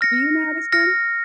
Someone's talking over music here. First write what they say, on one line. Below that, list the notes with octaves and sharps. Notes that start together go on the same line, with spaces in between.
Do you know how to swim?
F6 A#6 C#7
F6 A#6 C#7